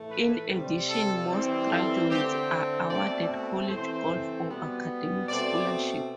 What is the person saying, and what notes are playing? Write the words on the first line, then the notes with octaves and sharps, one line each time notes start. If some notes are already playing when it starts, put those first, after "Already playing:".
In addition, most graduates are awarded college golf or academic scholarships.
Already playing: A2 E3 A3
B4
C3 G3 C4
A4
E3 G3 C4
A4
D3 A3 C4 G4
B2 A3 C4 D5
E3 A3 C4 C5
B2 G3 B3
B2 A3 C4 D5